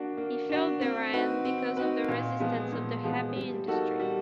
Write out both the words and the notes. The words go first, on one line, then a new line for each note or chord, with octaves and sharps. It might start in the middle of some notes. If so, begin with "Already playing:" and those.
He failed therein because of the resistance of the Heavy industry.
Already playing: A#3 D4 F#4
A#3
D4 F#4
C4
D#4 F#4 B4
C4
D#4 F#4 B4
A#2
F3 G#3 B3
A#2
F3 G#3 B3
G3
A#3 D#4 F#4 A4
G3